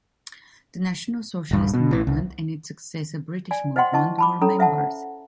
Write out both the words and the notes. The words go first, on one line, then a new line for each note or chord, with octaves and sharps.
The National Socialist Movement and its successor British Movement were members.
D#1 G2
B2
A1 E3
C2
D5 G#5
C5 D#5 E5 F#5 G5 C6
E4 D#5 A5 C#6
A5 B5 D6
C#4 A4 C#5 A#5
C5 E5 F#5 A5